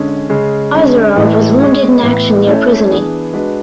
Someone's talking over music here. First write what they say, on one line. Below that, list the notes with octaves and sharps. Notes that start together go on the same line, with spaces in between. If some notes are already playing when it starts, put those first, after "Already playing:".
Ozerov was wounded in action near Pruzhany.
Already playing: D3 G#3 C#4 G#4
C#3 G#3 C#4
D3 G#3 C#4
A2 E3 A3
G#3 C#4 G#4 C#5
A2 E3 B3
A3 C#4 E4 A4 C#5
E3 B3 D4 G#4
G#3 D4 F#4 B4